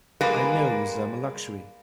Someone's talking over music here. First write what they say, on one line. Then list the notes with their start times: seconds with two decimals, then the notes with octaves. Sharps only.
I knows I'm a luxury.
0.21 G3 G#3 A#3 B4